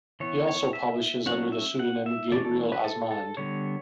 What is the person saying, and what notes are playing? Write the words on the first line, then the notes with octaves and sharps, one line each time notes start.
He also publishes under the pseudonym Gabriel Osmonde.
E3 B3 C#5
C#5
E5
F#3 A3 C#4 F#5
E5
F#5
E5
E3 A3 C#4 D5
A4
B4
A4
A4
D3 G3 B3 C#5